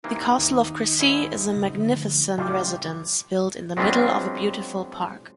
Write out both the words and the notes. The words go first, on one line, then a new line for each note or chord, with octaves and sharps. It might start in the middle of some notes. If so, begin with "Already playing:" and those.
The castle of Cressé is a magnificent residence built in the middle of a beautiful park.
C3 E3 A#3 D#4
D#2
G#2 E4
C#3
D3 F3 A3
A2 C#3 F#3 G3 F4 G4
F#3 G#3 B3 C4 D4 F4